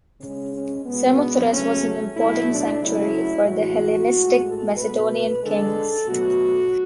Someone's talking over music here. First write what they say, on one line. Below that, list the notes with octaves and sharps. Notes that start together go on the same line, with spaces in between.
Samothrace was an important sanctuary for the Hellenistic Macedonian kings.
C#3 G#3 C#4
C#4
B2 G#3 B3
C#3 F#3 A3 C#4
B2 F#3 A3 E4
D4
C#3 F#3 A3 E4
A2 E3 G#3 F#4
A2 G#3
A4
B2 A3 B4
B4
D3 G#3 A4
B2 F#3 A3 F#4